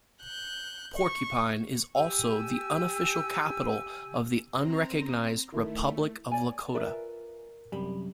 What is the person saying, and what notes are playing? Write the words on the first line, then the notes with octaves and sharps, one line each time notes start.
Porcupine is also the unofficial capital of the unrecognized Republic of Lakotah.
F#6 G6
C#6
G4 G#5 E6
C4 A#5 C6
D#3 A3 E4 A4
C#5 D5 G#5
F4 A#4 B4 D5 E5
F#2 C3 G3 B5